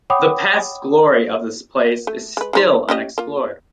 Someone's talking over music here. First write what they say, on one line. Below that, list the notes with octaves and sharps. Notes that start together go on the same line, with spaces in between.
The past glory of this place is still unexplored.
C#5 F#5 G5 B5 D6 D#6
A3
G#3 B4
G#3 D#4 C5
C#4 G4 D#5
A#3 F4